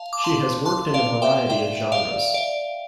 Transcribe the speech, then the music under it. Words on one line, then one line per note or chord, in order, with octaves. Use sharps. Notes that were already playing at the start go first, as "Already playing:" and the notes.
She has worked in a variety of genres.
Already playing: F5 A5
D6
A5 C6
A5 C6
D5 F5
E5 G5
E5 G5
D5 F5
D5